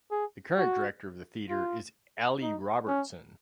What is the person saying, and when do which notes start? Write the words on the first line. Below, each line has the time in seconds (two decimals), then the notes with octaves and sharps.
The current director of the theatre is Ali Robertson.
0.11 G#4
0.57 F#4
1.50 F4
2.42 D#4
2.88 C#4